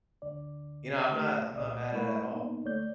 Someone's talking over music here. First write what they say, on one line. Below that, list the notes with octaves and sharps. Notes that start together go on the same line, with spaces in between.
you know, I'm not I'm not mad at at all,
D2 D3 D5
A3 G4
C2 A#2 D5 D#5 D#6
G#3 A3 E4 A#4 B5 C#6
A#3 B3 D#4
D2 A3 C#5 D5 G6